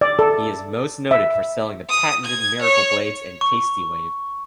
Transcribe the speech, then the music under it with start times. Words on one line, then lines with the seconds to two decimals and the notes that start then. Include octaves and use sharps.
He is most noted for selling the patented Miracle Blades and the TastiWave.
0.01 D5
0.19 A4
1.11 E5
1.89 D#6
2.25 G#6
2.62 C#5
3.41 C#6